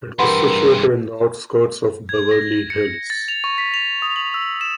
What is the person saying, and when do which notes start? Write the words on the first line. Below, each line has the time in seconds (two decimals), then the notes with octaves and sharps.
It was situated in the outskirts of Beverly Hills.
0.19 G2 E3 G4 A#4 B4 F#5 C6
2.09 G#6
2.31 A#6
2.70 C#7
3.10 A6
3.28 F7
3.44 C#6
3.58 B6
3.74 F7
4.02 D#6
4.16 F#7
4.34 E6
4.61 E7